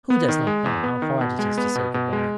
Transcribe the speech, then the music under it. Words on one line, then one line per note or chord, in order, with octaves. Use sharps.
Who does not know how hard it is to say good-bye?
B3
D#3
G#3
E2
B3
D#3
B2
G#3
B3
B2
B2
G#3